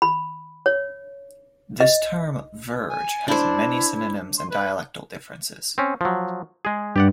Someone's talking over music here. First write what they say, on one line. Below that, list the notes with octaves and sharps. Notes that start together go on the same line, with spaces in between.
This term "verge" has many synonyms and dialectal differences.
B5
C#5
D#5
G#5
D4 E4 C5
C6
B4
C4 C#4
F3 F#3
G#3 G#4
G2 G4 D5 F#5